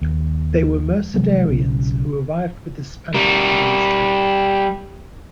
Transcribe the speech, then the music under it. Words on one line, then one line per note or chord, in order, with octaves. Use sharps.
They were Mercedarians who arrived with the Spanish to raise cattle.
D#2
C3 E3 F#3 G#3
B1 C#3
G3 A#4